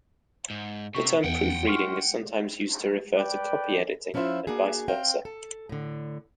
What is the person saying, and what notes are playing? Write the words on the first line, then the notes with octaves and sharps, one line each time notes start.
The term "proofreading" is sometimes used to refer to copy-editing, and vice versa.
G#2
C3 C#6
E2 F#5 G5
C6 C#6 F6
B4 D5 G5
F3 C#4 E4 F4 C5 E5
A#3 D4 F#4 G#4
C4 F5 G5
A4
A2 D3